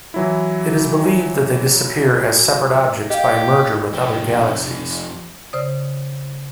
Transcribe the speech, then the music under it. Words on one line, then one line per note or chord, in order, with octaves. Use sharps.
It is believed that they disappear as separate objects by merger with other galaxies.
E3 F#3 E4
G4 D#5 F5
F2 G4
C#3 C5 D5 D#6